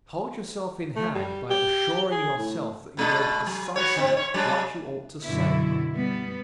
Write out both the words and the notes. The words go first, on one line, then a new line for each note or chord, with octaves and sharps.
Hold yourself in hand by assuring yourself that you know precisely what you ought to say.
A3
G3
G4
G#4
A2
B2 G#3 D4
F#3
B3 F#4 C#5
D3 C4
C#5
F#3 G#3 D4
F#2 B2 D3 E4
G3 B3